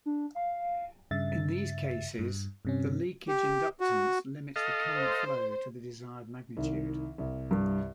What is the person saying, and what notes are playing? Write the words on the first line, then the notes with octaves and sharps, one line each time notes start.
In these cases, the leakage inductance limits the current flow to the desired magnitude.
D4
F5
G2 C#3 E5 A6
G2
G2 C3 C#4
G4
F#4
A4 D#5 F5
C5
C2 D#3
C2
G2